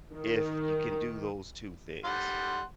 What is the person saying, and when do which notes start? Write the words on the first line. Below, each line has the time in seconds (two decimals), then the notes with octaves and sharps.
if you can do those two things,
0.12 D#3
2.04 G3 F#5 C6